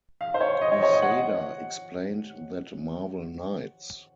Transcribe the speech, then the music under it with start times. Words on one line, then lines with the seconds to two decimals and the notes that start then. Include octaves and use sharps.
Quesada explained that Marvel Knights...
0.21 F5
0.34 C5
0.41 C#5
0.61 D#5
0.72 C#5
0.82 C#5
0.92 D#5
1.02 F#5